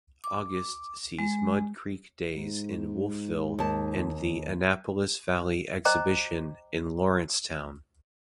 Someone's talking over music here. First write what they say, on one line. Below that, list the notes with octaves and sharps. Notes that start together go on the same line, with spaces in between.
August sees Mud Creek Days in Wolfville and the Annapolis Valley Exhibition in Lawrencetown.
D6
G#3
G#2
D#2 A5
C5 D#5 G5 A#5 D6